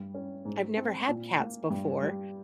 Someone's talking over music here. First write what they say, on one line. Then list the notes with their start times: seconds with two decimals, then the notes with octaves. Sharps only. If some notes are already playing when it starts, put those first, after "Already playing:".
I've never had cats before,
Already playing: G2
0.14 C#4
0.45 G#2
0.77 C4
1.08 A#2
1.39 A#3
1.70 G2
2.02 G3